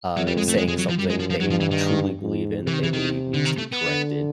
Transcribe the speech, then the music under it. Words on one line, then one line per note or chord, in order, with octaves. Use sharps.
uh, saying something they truly believe in, that they believe needs to be corrected,
F2 F#3
G3
G#3
A3
G#3
G#3
F#3
F3
F#2 G3
G#3
F3
F3
G2 F#3
F3
E3
D#3
G#2
C3 E3
D#3
E3
D#3
D3
D#3
A3
B3
D3